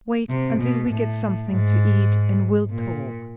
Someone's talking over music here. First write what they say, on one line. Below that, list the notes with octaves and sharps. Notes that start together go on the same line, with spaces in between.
Wait until we get something to eat, and we'll talk.
C3
B2
A2
G#2
A#2